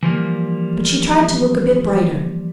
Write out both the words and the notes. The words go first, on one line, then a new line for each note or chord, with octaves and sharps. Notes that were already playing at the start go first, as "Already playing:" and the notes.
But she tried to look a bit brighter.
E3 F3 G3 A#3